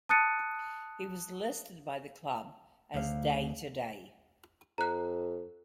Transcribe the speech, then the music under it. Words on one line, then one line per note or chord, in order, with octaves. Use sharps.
He was listed by the club as day-to-day.
A5 D#6 F#6 A6 C#7 D#7
D2 F5
F2 A#5 F#6